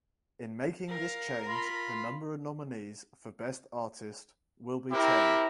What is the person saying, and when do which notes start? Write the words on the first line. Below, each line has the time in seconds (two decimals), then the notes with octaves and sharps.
In making this change the number of nominees for Best Artist will be ten.
0.89 A#4 F5
1.47 F4 B5 C6
4.92 C4 E4 G4 A#4